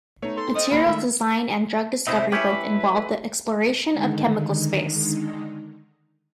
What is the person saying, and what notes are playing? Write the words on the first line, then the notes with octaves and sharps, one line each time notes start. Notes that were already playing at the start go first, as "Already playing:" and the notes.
Materials design and drug discovery both involve the exploration of chemical space.
A3 B3 D#4 C#5
A4 C6
C4 D#5 C6 D#6
D#3 A#3 F4 G#4 A#4 C5 B5
D#3 G#3 A3 E5
A2 C3 A3 E4 C5 D#5
C#4 E4 G4 A4 B4
D3 D#3 G#3 D#4